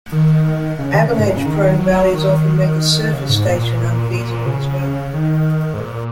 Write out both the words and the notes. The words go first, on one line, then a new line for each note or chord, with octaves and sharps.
Avalanche-prone valleys often make a surface station unfeasible as well.
D#3
C#3
D#3
C#3
G#2
A#2
C#3
D#3
F#3
D#3
D#3
C#3
G#2
A#2
A#2
C#3
D#3
G#2
A#2